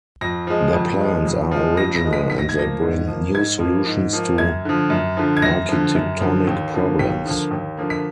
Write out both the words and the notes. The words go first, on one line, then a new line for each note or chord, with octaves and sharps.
Their plans are original and they bring new solutions to architectonic problems.
F2 A#6
F3 G#3
F2
G#3
F3
F2
F3 G#3
F2 A#6
A#6
F3 G#3
B6
G#2 B6
A#6
G#6
F3 A#3 A#6
G#2
F3 A#3
G#2 G#6
F3
A#3
G#2
F3 A#3
F#2 G#6
D3 F3
F#2
D3 F3
G#6
F#2 A#6
D3 F3
F#2
D3 F3
D#2
D3 F3 A#3
D#2 B6
D3 F3 A#3
D#2
D3 F3 A#3
B6